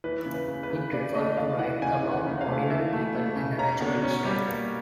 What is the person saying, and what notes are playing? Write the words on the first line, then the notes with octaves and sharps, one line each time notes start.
He preferred to write about ordinary people in a natural style.
E3 B4
C#3
B4
C#3
B4
C#3
C#3 D5
A3 D#5
A3 F5
E3 F#5
C#3 G#5
E3
F#5
C#3
F5
A3
E3 E5
A3
A3
C#3
C#4 A#5
B2
C#4
G3
A#3